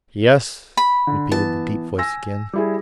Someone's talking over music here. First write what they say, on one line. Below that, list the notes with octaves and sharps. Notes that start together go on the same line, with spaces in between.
"Yes," repeated the deep voice again.
B5
D3
E3 B3 A5
G#5 E6 A#6
G3 E4 G#4